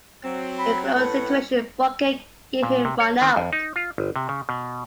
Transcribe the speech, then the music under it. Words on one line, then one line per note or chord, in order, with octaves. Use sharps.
In a close situation, Crockett gave him run out.
F#3 C4
B5
A2 B4 F#5
A#2
C3
C#5
D#3
F2
D#4
F4
G1
C3
C#3
B2